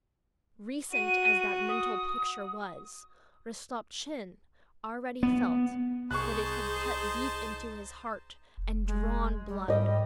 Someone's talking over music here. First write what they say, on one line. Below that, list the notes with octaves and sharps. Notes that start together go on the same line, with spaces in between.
Recent as that mental picture was, Rostopchin already felt that it had cut deep into his heart and drawn blood.
F#4 D#7
D#6
B3
C2 D#4 G#4 C5 A5 C#6 F#6
F1
G#3
G3
G#2 G3 D#5 G5